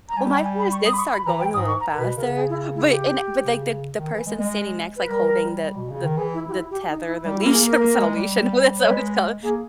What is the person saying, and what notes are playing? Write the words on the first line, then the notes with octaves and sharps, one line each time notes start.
Well, my horse did start going a little faster, but and but, like, the the person standing next, like, holding the the the tether the leash, I mean it's not a leash. And who that's what it's called.
A#5
G3 G#5
G5
G#5
B5
C#6
D#6
B5
C#6
B5
E3 A#5
G5
G#2 D#6
C#6
A#5
A#4
B2 B4
C#3 A#4
G#4
E4
E4
G4
C#3
D#3
E3
G#3
G#3
B4
G3 A#4
B2
C#3
D#3
E3 G#4
E4
G4
E4
G4
D#4
E4
G3 D#4
G4
E4
A#3 A#4
G#4
A#3 A#4
A#3
G#3
G3
G3
G3 C#5
G#3 B4
A#3 G#4